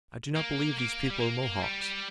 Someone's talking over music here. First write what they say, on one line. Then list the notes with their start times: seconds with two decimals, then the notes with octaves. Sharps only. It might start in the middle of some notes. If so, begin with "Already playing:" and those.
I do not believe these people are Mohawks.
0.36 A#3
0.79 A#3
1.11 G3
1.20 A#3
1.63 G3